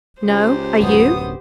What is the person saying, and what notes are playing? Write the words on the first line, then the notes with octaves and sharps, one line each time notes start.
"No; are you?"
C#2 G4 C5
D1 F#2 B3 D#6